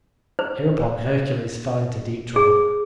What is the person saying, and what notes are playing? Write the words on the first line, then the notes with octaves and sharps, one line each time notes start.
Hereupon Hercules fell into deep trouble.
C5
G#4